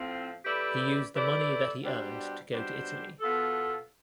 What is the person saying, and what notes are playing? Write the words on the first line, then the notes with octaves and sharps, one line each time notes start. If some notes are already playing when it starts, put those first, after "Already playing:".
He used the money that he earned to go to Italy.
Already playing: A2 F3 C4
A3 E4 G4 B4 D5
A3 E4 G4 B4 D5
B2 G3 D4 G4 C5
B2 G3 D4 G4 C5
B2 B3 F4 A4